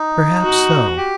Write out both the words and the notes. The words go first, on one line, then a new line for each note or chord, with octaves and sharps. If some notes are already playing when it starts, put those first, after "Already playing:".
Perhaps so.
Already playing: D#4
F#4
G4